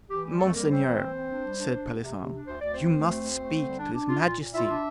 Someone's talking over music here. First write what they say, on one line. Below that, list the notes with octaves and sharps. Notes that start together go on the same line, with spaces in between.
"Monseigneur," said Pelisson, "you must speak to his majesty."
E3 G4
G3 G4
F2 A3 A4
G3 A#3 A#4
F2 C4 C5
E3
E3
C4
D4
G3
D4
D4
E2
C3
C3
D4
D2 C5
D2 D5
A3 C4 C5
A3
D2
D2
A3
D3
G3
D4
D4
F4
A#2
A#2
E4 F4 E5
D4